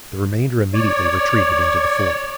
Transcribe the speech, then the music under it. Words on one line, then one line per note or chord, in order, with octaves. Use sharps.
The remainder immediately retreated into the fort.
C#5 D5